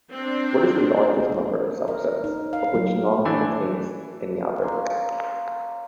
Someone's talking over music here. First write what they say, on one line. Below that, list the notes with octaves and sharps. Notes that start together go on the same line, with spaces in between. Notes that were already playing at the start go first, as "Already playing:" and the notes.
What is the largest number of subsets of which none contains any other?
C4 D4
A#4
D#4
F5
F#3
E3 A3 D4 G#5
A#3 C#4 C6